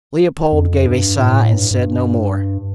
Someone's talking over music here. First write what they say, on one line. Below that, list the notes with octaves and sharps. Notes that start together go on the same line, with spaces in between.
Leopold gave a sigh, and said no more.
F2
G2
A2
G2
G2